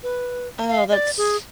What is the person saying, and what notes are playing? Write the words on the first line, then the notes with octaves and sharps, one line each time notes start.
Oh, that's
B4
F5
D5
G#4